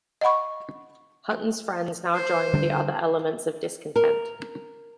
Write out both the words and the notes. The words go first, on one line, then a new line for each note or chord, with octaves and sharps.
Hutten's friends now joined the other elements of discontent.
D#5 F5 F#5 B5 C#6
C5
D3 G3 D4
A#4